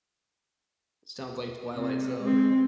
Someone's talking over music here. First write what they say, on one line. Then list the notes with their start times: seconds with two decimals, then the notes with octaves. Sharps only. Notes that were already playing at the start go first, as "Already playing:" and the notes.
Sounds like Twilight Zone.
1.73 C3
2.21 G#3 C4